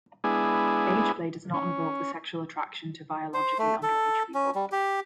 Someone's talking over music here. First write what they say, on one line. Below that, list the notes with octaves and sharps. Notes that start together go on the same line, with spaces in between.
Ageplay does not involve the sexual attraction to biologically underage people.
G#3 B3 D4 E4 G#4
C#4
C5
A3
A4
C#4
G3
G4